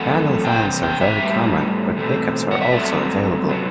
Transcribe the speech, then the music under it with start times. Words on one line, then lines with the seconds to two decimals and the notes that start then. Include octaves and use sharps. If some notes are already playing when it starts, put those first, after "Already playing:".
Panel vans are very common, but pickups are also available.
Already playing: F#2 E3 A3 C4 F#5
0.44 C3 E3 C4 G5
0.83 G5
1.01 E5
1.20 A2 G3 B3
1.96 E2 B2 A3 C4
2.51 F#5
2.61 E5
2.72 G2 F#3 A3 C4 D5
3.49 C3 F#3 B3